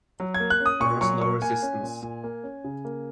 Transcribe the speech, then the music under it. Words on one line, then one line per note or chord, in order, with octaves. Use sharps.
There was no resistance.
F#3
G#6
A#3
F#6
C#4
D#6
A#2 C#6
F#3 C#6
A#3 C#6
A#3 G#5
C#4
A#2
A#2
A#3
C#4
C#3
A#3